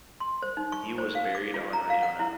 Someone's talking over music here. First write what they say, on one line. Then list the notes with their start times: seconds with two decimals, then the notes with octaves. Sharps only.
He was buried on Iona.
0.20 C6
0.42 C5
0.57 D#4
0.72 C#6
0.98 C5
1.15 F5
1.35 D6
1.54 F4
1.73 A#5
1.90 F5
2.03 F#5
2.20 E4